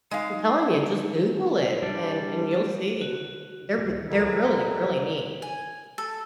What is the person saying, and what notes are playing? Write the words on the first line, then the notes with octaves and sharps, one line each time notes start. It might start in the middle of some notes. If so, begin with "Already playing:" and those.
I'm telling you, just Google it, and and you'll see. They're wi they're really, really neat.
G#3 D#4 F5
G3 D4
F#4
F2 A#2 D#3 F#3 D#4 E4
G#5
A4